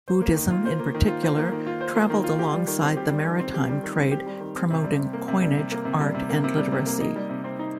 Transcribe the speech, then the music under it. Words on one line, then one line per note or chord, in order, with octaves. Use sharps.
Buddhism, in particular, traveled alongside the maritime trade, promoting coinage, art and literacy.
C5
A#3
D#3
F4
C5
A#3
D#3
F4
C5
A#3
D#3
F4
C5
A#3
D#3
F4
G4
G3
D#3
C4
G4
G3
D#3
C4
G4
G3
D#3
C4
G4
G3
D#3
C4
C3
G3
C3
A#3
C3
G3
C3
A#3
C3
G3
C3
A#3
C3
G3
C3
A#3
D#4
G3
C3
C4
D#4